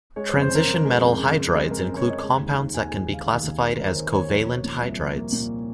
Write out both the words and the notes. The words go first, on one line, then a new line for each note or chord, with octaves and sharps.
Transition metal hydrides include compounds that can be classified as "covalent hydrides".
G#3 C#5
C5
F2
C5
C#3 A#4
F2
G#3
F2
C#3
F2
G#3
F2 A#4
C#3
C#5
F2 D#5
G#3
D#2
D#3
D#2 G#5
G#3 G#5
D#2 F5
D#3
D#2
G#3
D#2 A#4
C#5
D#3 C5
D#2 C#5
F3 C#5
A#3
A#2
C2
F3
A#3
A#2